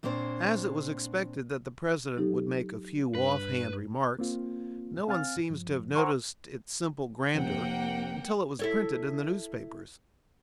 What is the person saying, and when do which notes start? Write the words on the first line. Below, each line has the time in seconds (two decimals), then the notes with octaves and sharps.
As it was expected that the President would make a few offhand remarks, no one seems to have noticed its simple grandeur until it was printed in the newspapers.
0.03 A#2 A#3 C4 D4 C5 C#5
2.17 F#3 D#4 G4 A4
3.15 G2 B4
4.19 A#3 C4 F4
5.08 C4 F5 G#5 F6 A6
5.50 G2 F3
5.95 C5 F#5 G#5 A#5 C6 C#6
7.35 F1 C3 A#3 F#5 G5
8.59 E4 A4 C#5